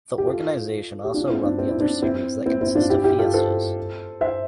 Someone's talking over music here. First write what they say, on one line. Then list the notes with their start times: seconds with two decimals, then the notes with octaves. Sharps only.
The organisation also run the other series that consists of Fiestas.
0.18 G4
0.27 F4 A4
1.04 G4
1.14 D4 F4
1.29 C4 E4
1.44 D4
1.58 C4
1.70 E4
1.80 D4
2.02 C4 E4
2.46 C4 E4
2.61 C4 E4
2.75 D4 F4
2.90 E4 G4
3.04 E4 G4
3.18 F4 A4
3.34 A4 C5
4.21 C5 E5